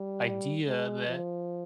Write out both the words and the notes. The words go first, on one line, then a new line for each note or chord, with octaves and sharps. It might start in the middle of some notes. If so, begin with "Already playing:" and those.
idea that
Already playing: G3
G#3
F3